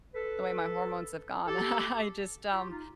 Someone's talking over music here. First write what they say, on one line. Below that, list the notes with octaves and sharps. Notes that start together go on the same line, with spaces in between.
the way my hormones have gone, I I just, um,
A4 B4
G4 A4
F4 G4
D#4 F4